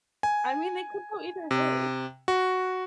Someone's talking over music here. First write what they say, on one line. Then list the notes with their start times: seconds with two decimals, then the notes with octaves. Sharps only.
I mean, they could go either way,
0.23 G#5
1.51 C3
2.28 F#4